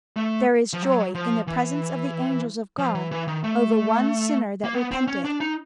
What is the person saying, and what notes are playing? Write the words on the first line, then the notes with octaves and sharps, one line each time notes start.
There is joy in the presence of the angels of God over one sinner that repenteth.'
A3
F3
F#3
F3
E3
F3
E3
E3
D#3
A3
A#3
B3
C4
C#4
D4
D#4